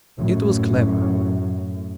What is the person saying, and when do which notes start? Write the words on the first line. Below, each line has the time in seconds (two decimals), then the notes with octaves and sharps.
It was clever.
0.17 F#2 A2